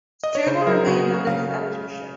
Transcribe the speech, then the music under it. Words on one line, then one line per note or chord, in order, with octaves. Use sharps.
The journal remained under his editorship.
D#5
C#5
C#3 C5
G#4
F#3 A#4
C#3 F#4
F#3
F#4
C#3 F5